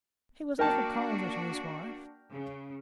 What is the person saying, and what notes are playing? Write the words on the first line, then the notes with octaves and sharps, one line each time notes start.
He was a little colder to his wife.
A#3 D4 F#4 A#4 G5 A5
C#3